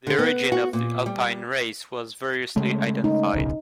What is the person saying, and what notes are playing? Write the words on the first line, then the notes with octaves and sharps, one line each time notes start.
The origin of the Alpine race was variously identified.
D3
B3
F#4
A#2
G3
C#3 G#3 A3
D#4
D1 B1 C#3